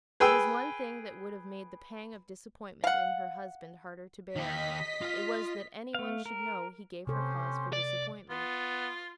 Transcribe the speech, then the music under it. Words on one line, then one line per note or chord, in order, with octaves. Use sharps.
There was one thing that would have made the pang of disappointment in her husband harder to bear; it was, that any one should know he gave her cause for disappointment.
G#4 B4 G5 E6
F5 F#5
D#3 G4 D#5 B6
F4 F5
A3 F5
A#4
C3 C#4 G4 A4 C5
D5
B3 F4